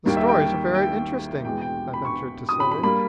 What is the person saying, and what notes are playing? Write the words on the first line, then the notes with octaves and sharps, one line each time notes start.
"The stories are very interesting," I ventured to say.
D#2 D#3 G3 A#3 G5
E5
G5
G5
E2 B2 G#3 G5
G5
B5
C#6
D#6
B5
B5
G3 A#3 B5